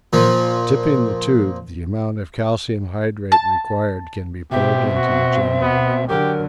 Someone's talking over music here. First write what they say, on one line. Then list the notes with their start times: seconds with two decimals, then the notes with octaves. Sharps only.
By tipping the tube the amount of calcium hydrate required can be poured into the generator.
0.13 A#2 F3
3.32 A5
4.51 B2 C4 G4 E5
4.95 F#4
5.61 B3
6.09 D3 F#3 G4 A#4